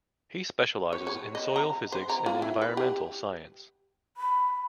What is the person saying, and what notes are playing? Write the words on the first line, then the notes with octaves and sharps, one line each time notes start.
He specialises in soil physics and environmental science.
C#5
C#5
D#5
A#5
C5
A#5
F4
E4
B4
G4
B5